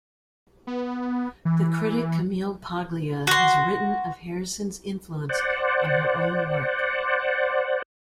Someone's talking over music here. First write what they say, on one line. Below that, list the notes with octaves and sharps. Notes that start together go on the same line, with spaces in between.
The critic Camille Paglia has written of Harrison's influence on her own work.
B3
E3
F#4 C6
C5 D5 F#5